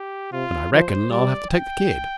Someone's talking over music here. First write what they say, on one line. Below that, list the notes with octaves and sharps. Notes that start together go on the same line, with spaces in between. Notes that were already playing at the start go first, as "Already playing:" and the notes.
And I reckon I'll have to take the kid.
Already playing: G4
C3 F4
F3 C5
G3 D5
G5